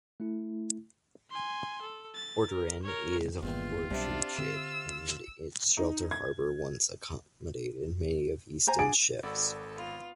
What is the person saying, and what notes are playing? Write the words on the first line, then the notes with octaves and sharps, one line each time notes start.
Oderin is horse-shoe-shaped and its sheltered harbour once accommodated many of Easton's ships.
A3 E4
G#5 C6
A4
A6
A#4
A#4 C#5
G1 E2 A#2 D#3 F4
B1 C3 G3 D4 E5
D3 C4 E6
D#4
G#6
C5 G#5 A#5
D4 G#4 F#5 G#5 D7
G#1 F#4 A4 D5 F#5 B5 E6
B3 F4